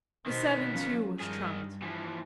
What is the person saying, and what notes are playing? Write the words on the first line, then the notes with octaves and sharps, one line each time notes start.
The seven too was trumped.
B2 D#3 B3 C5
F3 C#4
G2 D#3 G#4
E3 F3